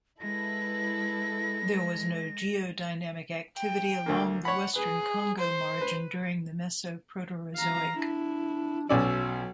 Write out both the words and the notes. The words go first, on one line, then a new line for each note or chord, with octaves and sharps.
There was no geodynamic activity along the western Congo margin during the Mesoproterozoic.
G#3 E4 A4 B4 A#6
G5
D2 D3 A#3
C#5 F#5 B5
G#4 B4
C5
B4
E3 F5 A#5
D4 E4
B1 F#3 C#4 D5 E6